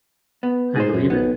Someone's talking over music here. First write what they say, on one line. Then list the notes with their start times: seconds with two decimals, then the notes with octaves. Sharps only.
I believe it.
0.43 B3
0.76 G#2 G#4 C5
0.93 F#2
1.10 B1 B3